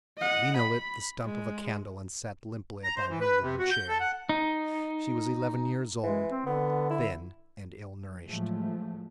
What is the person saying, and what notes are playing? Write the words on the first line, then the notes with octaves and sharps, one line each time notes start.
Lena lit the stump of a candle and sat limply upon her wooden chair. She was eleven years old, thin and ill-nourished.
D#5 F#5
B5
G#3
A#5
C5
E3
B4
C3
F#4
G6
A4
F#5
D#4
E3 G#3
C4
D3 B3
E4
A2 F3 F#3 G#3 A3